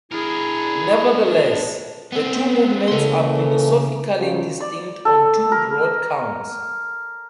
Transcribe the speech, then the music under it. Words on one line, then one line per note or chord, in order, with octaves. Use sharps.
Nevertheless, the two movements are philosophically distinct on two broad counts.
D4 E4 G#4 A#4
B3 C4
C#3 E3 A#3 A4 C6
C#3 F3 F#3
D5
A4
A#4